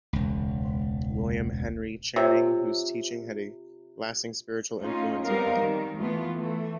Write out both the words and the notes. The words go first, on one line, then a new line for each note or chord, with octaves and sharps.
William Henry Channing, whose teaching had a lasting spiritual influence upon her.
E1 C#2
C3 F4 C5 C#5
A3 C#4 D#4 F4
G3 B3 C4 D#4 A#4 F5
D#3 G3
E3 A3 B3 F4
E3 A3